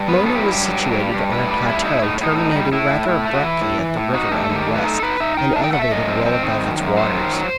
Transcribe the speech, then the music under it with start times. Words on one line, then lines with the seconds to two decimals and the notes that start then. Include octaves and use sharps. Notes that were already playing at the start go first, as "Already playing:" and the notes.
Mona was situated on a plateau terminating rather abruptly at the river on the west, and elevated well above its waters.
Already playing: G2
0.08 B3 B4
0.26 F#3 A4
0.35 G4
0.43 G2 E4
0.52 G4
0.62 F#3
0.79 G2
0.96 G2
1.14 G2
1.31 A2 B4
1.49 G3
1.67 A2 E4
1.84 D#4 E4
2.02 A2 D#4
2.21 A2 D#4
2.38 D#4
2.55 G3
2.73 A2 E4
2.90 A2
3.08 A2
3.25 A3
3.33 F#4
3.43 E3 E4
3.61 A2
3.79 E3
3.97 A2
4.14 D#4 F#4
4.32 A3 G4
4.43 A4
4.49 D#3
4.56 G4
4.67 A3
4.75 B4
4.84 D#4 A4
5.02 D#4 B4
5.20 D#4 E5
5.37 D#4 G5
5.55 A3 A5
5.64 G5
5.73 A3 F#5
5.82 E5
5.91 F#2 D#5
6.08 C4
6.26 C4
6.43 D#3
6.61 F#2
6.79 F#2
6.96 F#3 C5
7.14 D#3
7.32 F#3